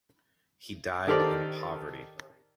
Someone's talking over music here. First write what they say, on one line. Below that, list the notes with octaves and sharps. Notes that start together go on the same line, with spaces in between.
He died in poverty.
D#3 G4 A4 A#4 C5 D5